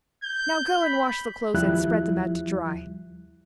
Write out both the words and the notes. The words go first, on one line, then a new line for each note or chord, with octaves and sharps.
Now go and wash the clothes and spread them out to dry.'
G6
B5
D#2 F3 G3 E4 F#6